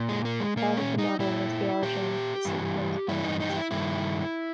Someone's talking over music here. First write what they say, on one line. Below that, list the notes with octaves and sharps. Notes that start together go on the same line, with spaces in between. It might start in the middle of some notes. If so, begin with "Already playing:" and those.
Part of the model was the origin of the seafloor spreading concept.
Already playing: A#2
G#3
A#3
G#3
A#2 A#3
C#4
D#4
A#2 E4
A#2 G4
G2 E3
G2 E3 E4
D#4
D#4
G4
E4
G2 D#3 E4